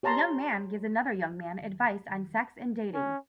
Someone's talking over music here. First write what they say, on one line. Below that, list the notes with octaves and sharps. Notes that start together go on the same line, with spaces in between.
A young man gives another young man advise on sex and dating.
G4 C#5 A5 A#5 C6
C#4